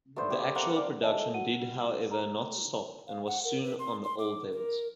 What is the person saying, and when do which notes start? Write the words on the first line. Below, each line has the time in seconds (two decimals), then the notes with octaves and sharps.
The actual production did however not stop and was soon on the old levels.
0.16 A3 B3 D4 C5
0.30 B3 G4
0.55 A#3 C4 F5 F#5
0.76 D5
1.01 C#5 D#5 E5 G#5 A5
1.34 F#4 F#5 D#7
2.11 A#5
3.08 F5
3.27 F#5
3.44 A#4
3.63 B4
3.79 C6
4.04 C6
4.18 D6
4.52 A#4